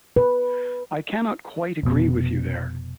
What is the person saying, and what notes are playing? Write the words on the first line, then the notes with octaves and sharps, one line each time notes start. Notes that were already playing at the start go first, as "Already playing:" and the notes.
I cannot quite agree with you there.
B4
F1 B2